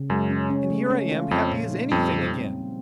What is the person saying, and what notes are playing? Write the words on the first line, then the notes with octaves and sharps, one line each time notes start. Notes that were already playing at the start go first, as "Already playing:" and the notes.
And here I am happy as anything again.
Already playing: C#3
F#2 G#3
C#4
C#4
A3
C#4
F4
F2 F3
A#2
D#4
F2 G3
C4